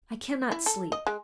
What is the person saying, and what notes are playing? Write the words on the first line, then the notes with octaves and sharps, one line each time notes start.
I can not sleep.
E4
A4
D#5
G#3